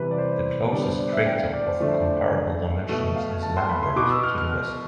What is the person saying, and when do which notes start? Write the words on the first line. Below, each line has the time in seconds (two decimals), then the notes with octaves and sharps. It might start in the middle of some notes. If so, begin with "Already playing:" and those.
The closest crater of comparable dimensions is Lambert to the west.
Already playing: C3 E3 G3 B4
0.11 D5
0.18 C5
0.72 D3 G3 B3 D5
0.85 C5
0.99 D5
1.12 E5
1.26 G5
1.40 F5
1.53 D5
1.66 C5
1.80 D3 F3 A3 D5
1.91 C5
2.01 D5
2.89 B2 A3 E5
3.16 F5
3.43 A5
3.57 C6
3.69 B5
3.83 C6
3.96 B2 D6
4.00 B3
4.10 E6
4.23 F6
4.38 F6